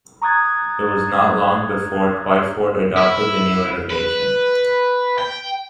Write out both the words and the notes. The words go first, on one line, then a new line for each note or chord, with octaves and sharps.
It was not long before Twyford adopted the new innovation.
A#5 C#6 D#6 F#6 G#6 A6
E4
B4
G5